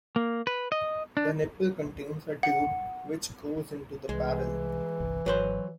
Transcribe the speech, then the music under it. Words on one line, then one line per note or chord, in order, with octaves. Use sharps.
The nipple contains a tube which goes into the barrel.
A#3
B4
D#5
D4
F#5
C2 E3 G#3
G1 C2
G#1 F#3 B4 C5